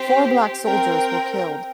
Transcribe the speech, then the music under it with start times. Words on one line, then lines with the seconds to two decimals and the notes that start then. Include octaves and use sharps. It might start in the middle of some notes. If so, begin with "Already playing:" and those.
Four black soldiers were killed.
Already playing: C4 G4 C5
0.64 C4 A#4 G5